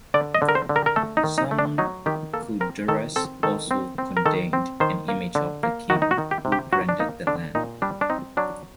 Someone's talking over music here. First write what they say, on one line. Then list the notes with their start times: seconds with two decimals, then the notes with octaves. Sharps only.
Some kudurrus also contained an image of the king who granted the land.
0.14 D3 D5
0.35 D#5
0.42 D3
0.49 A#4
0.55 C5
0.69 D3
0.76 A#4
0.86 A#4
0.96 A3 A4
1.17 D#4
1.24 D#3
1.38 D#4
1.51 A3
1.59 D4
1.78 F#3 D#4
2.06 D#3 G4
2.33 A#3 A4
2.60 C4 A#4
2.88 D#3 A4
3.16 C4 A4
3.43 D#3 A4
3.71 C4
3.98 C4
4.17 A#4
4.26 D#3 A4
4.53 C4
4.80 D#3 C5
5.08 A#3
5.35 D3
5.63 A#3
5.90 D#3 F#4
6.02 D#4
6.11 F#4
6.18 D#3
6.31 G4
6.45 C3
6.52 G4
6.73 F#3 F#4
6.89 D4
7.00 A#3 D#4
7.27 D3 D4
7.55 A#2 D#4
7.82 G3 D4
8.01 D4
8.10 C4 D#4
8.37 F#3 D4